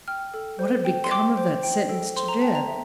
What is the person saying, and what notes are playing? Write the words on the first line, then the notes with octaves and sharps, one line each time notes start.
What had become of that sentence to death?
G5 F6
A4
C5
G5
C6
G5 D6
C5
G5
A4
C5 C6
A#5
G5 A5
A#5
E5